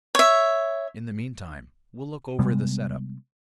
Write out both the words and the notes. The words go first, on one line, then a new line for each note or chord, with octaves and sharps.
In the meantime, we'll look over the set-up.
C#5 E5
C3 G3 G#3 B3